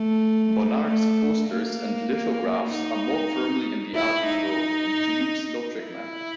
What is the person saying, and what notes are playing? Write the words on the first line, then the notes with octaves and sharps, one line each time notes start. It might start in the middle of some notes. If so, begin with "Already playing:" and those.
Bonnard's posters and lithographs are more firmly in the Art Nouveau, or Toulouse-Lautrec manner.
Already playing: A3
A3
A#3
D#4
E4
D#4
E4